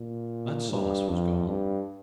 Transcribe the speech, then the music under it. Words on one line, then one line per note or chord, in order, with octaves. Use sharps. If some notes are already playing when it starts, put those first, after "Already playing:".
That solace was gone.
Already playing: A#2
G2
F2
G2